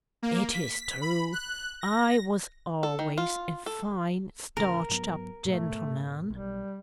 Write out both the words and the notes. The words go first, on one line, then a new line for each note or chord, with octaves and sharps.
It is true, I was always a fine starched-up gentleman!
A#3
B6
B5
F#6
A#6
A4
D#3
F4
A4
A1 C#3 E3 A#4
G#2 F#3 B3
G#2 B2 A3
B1 G3